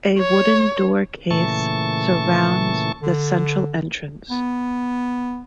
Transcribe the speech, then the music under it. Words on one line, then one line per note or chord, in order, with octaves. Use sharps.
A wooden door case surrounds the central entrance.
C#5
A#2 C#3 E3 A3 A5 C#6
D3
B3